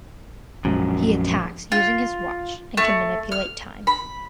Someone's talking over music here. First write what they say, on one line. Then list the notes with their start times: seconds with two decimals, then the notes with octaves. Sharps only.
He attacks using his watch, and can manipulate time.
0.65 A#1 F#2 F3 G#3
1.72 F4
2.77 A3
3.32 F6
3.87 B5